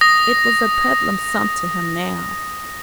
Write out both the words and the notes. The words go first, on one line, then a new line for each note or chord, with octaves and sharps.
It was a peddling sum to him now.
D#6 A#6